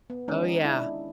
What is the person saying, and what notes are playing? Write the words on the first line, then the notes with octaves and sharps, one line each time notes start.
Oh, yeah.
B3
D#3 G#3 C#4 D#4
D4 E4